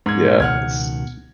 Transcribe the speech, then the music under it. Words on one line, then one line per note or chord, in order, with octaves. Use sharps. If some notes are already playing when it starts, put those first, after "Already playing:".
Yeah, it's t
G#2 G#6
C#2 B2 D#3 F#5 F6 G#6